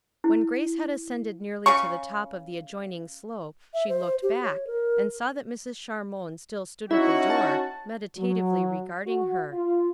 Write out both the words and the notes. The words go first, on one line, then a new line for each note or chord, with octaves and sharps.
When Grace had ascended nearly to the top of the adjoining slope she looked back, and saw that Mrs. Charmond still stood at the door, meditatively regarding her.
E4
C#3 C#4 C#6
E5
C5
G4
C#5
A#4
C#4 D#4 E4 F#4
A5
F#3
F#4
F4